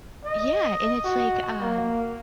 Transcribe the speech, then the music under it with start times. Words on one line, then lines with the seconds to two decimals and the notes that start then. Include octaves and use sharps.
Yeah, and it's like um,
0.25 D#5
1.05 F#4
1.62 A#3